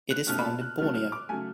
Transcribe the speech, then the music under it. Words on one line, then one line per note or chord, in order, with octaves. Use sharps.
It is found in Borneo.
F#6
B2 A3 C#4 F6
B5
A5
F#6
C#3 F#3 A3 F6
F6
D6
C#3 F#3 A3 G#5